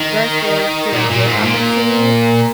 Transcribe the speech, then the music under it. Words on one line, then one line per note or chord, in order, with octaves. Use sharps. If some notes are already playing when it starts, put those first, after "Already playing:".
versus do I give opportunity,
Already playing: D#3
A#2
A#2
G#2
A#2